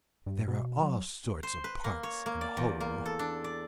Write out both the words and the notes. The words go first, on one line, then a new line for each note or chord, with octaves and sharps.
"There are all sorts of parts in a whole."
G2
B2
F#3
C5
B4
A#3
C#5
A#3
D5
E2
A#3
A4
D4
D5